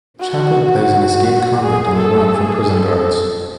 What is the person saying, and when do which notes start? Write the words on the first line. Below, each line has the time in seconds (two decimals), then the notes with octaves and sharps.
Chaplin plays an escaped convict on the run from prison guards.
0.20 F#4
0.91 F#4
1.62 G#4
1.98 A4
2.34 G#4
2.69 A4